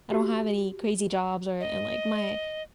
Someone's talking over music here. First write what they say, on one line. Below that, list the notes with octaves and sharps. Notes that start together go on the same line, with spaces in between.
I don't have any crazy jobs or and, like, my
F#4 G4
D#5